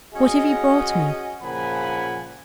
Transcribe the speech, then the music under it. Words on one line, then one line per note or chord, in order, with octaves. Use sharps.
What have you brought me?'
C#4 F#4 G#4 D#5
A#2 C#3 F3 F#5 G#5 B5